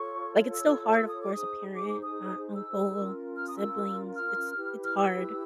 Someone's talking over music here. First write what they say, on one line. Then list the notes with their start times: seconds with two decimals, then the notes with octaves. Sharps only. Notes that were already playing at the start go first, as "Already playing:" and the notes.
like, it's still hard, of course, a parent, or an uncle, siblings, it's it's hard-
Already playing: F4 A4 C#5 C#6
0.53 E6
0.93 E6
1.07 D#6
1.20 D6
1.33 D#4 G#4 C5 D#6
1.74 D6
1.88 D6
2.02 D#6
2.55 E6
2.94 C#4 F4 A#4
3.35 F6
3.48 D#6
3.56 E6
4.16 F6
4.55 E4 G4 B4
4.84 F6
4.97 E6